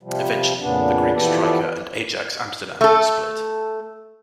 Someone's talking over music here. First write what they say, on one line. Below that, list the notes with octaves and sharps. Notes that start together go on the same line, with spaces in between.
Eventually, the Greek striker and Ajax Amsterdam had split.
C3 F3 G3
F2 A#2 C#3 B3 D4
E3 F3 B3 G4 A4 D5
A3 A4